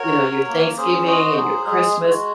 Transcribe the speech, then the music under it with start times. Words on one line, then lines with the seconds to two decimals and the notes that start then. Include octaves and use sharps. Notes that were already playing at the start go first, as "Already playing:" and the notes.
you know, your Thanksgiving and your Christmas,
Already playing: F#4 A#4 C#5
0.20 F#3
0.48 A#3
0.77 C#4 G#4 C5
1.07 F#4 C5 D#5
1.37 F#3 G#4 C5
1.66 G#3 G#4
1.95 G#3
2.09 F#4